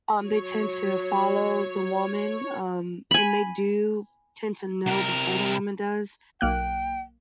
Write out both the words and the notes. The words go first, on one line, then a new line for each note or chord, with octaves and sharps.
Um, they tend to follow the woman, um, and they do tend to know before the woman does
F#3 C#5
G#5 B5
C3 A#4
B1 A#3 G5 F#6